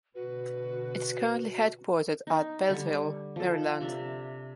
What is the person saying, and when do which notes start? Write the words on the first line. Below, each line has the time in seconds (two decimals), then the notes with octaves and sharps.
It is currently headquartered at Beltsville, Maryland.
0.15 B2 D3 F#4 B4
2.27 D#4
2.69 D3 G3 C#6
3.36 F3 A4
3.81 C3 D4 E5 A5